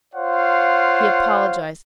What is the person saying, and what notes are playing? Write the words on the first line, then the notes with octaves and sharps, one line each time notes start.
He apologized.
F4 C5 C#5 F5 F#5